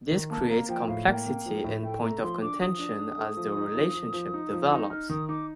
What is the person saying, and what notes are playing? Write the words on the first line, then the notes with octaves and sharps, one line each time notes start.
This creates complexity and point of contention as their relationship develops.
D#3
A#3 A5
A#3 A#5
F3 G5
A2 F5
A#3 G5
A#3
F3
A2
A3 G5
A3 A#5
F3 C6
D4 D6
F3 D#6
D4
D4
A3
F3
D#4
F3
F3
F3
D#4
F3
D#4
D#4 F6
D#3 D#6
D#4 D6